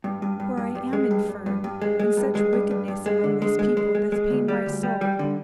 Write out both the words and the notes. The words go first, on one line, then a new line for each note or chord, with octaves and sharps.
For I am infirm, and such wickedness among this people doth pain my soul.
G2
G2
G2
G2
G2
G#3
G2
G2
G2
G2
G#3
G#3
G2
G#3
G2
G2
G2
G#3
D3
G#3
G#3
G#3
G#3
G#3
D2
G3
D2
G3
G3
D3